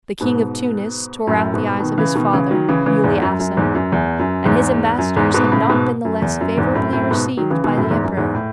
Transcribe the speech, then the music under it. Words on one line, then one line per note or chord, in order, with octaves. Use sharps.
The King of Tunis tore out the eyes of his father, Muley Assem, and his ambassadors have not been the less favourably received by the emperor.
G#2 B2
F#2 A2
G#2 B2
B2 D#3
C#3 E3
B2 D#3
C#3 E3
D#3 F#3
C#3 E3
C#3 E3
E2 G#2
F#2
F#2
E2 G#2
F#2
E2
F#2
E2 G#2
F#2
E2 G#2
G#2 B2
A2 C#3
G#2 B2
F#2
E2
F#2
E2 G#2
F#2 A2
F#2 A2
G#2 B2
D#3 F#3
C#3 E3
B2 D#3
F#2 A2
E2 G#2
F#2
E2 G#2
A2